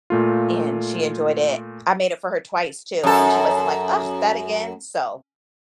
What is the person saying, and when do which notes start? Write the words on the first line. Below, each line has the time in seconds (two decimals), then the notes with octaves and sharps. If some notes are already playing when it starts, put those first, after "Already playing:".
and she enjoyed it. I made it for her twice too, and she wasn't like, "Ugh, that again?" so
0.10 A#2 A3 F4
3.04 F#2 A4